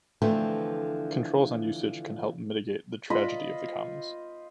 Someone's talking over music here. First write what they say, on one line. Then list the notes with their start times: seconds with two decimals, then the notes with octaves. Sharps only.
Controls on usage can help mitigate the tragedy of the commons.
0.22 D3 E3 F3 A3 C4
3.10 F4 C5 D#5 B5